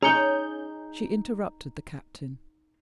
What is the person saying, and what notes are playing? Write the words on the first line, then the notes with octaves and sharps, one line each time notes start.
She interrupted the Captain.
C#4 D#4 G#4 A#5 G6 C#7